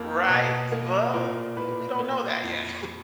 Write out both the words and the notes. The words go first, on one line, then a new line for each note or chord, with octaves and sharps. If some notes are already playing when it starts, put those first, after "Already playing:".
Right? Well, we don't know that yet.
Already playing: F2 A#3
B2
A#3
A#2 A#4
A#2 B4
A#3
F2